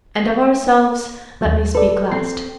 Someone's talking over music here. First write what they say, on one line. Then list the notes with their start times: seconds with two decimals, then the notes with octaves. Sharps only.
And of ourselves let me speak last.
1.41 D#2 F#3
1.75 A4 B4 D5
2.12 C4 C7